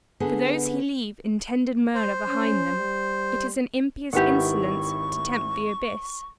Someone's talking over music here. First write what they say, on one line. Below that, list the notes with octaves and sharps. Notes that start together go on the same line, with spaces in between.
For those who leave intended murder behind them, it is an impious insolence to tempt the abyss.
D3 B3 G#4 B4
C5
C#4
G3
G#1 D#3 E4 G4 B4 F#5 C#6